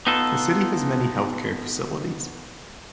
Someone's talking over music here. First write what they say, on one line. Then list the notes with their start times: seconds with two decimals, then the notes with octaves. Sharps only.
The city has many healthcare facilities.
0.07 B3 D#4 F4 A4